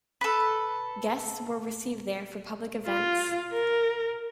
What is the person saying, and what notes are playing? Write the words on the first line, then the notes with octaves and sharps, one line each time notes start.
Guests were received there for public events.
A4 B4
F4
A#4